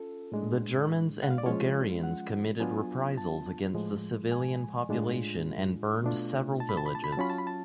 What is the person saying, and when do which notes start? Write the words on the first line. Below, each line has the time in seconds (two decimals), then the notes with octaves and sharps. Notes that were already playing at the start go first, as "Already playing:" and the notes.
The Germans and Bulgarians committed reprisals against the civilian population and burned several villages.
Already playing: C#4 F4 A4
0.32 A2 G#3 D4
1.23 F#5
1.30 F5
1.38 D5
1.46 F3 G#3 C#4 F4 C#5
2.03 F#5
2.60 F#3 B3 D4 F4 G#5
3.17 A5
3.74 A2 F3 G#3
4.32 G#5
4.89 A2 G#3 D4 F4
6.03 B2 A3 D4 F4
6.60 A5
6.69 B5
6.77 A5
6.86 B5
6.95 A5
7.04 B5
7.12 A5
7.17 F#3 C#4 F4 B5
7.30 A5
7.38 B5
7.47 A5